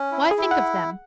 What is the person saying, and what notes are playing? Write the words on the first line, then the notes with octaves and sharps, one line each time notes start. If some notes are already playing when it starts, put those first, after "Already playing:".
Why think of them?
Already playing: C#4
E4
G#4
E4
F#5